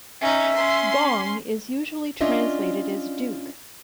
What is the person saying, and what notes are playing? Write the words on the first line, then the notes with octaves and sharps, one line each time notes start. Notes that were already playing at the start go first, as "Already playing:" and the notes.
"Gong" is usually translated as "duke".
C#4 D#4 E5
C#4 C6
C#4 D4 F4 D#5 E5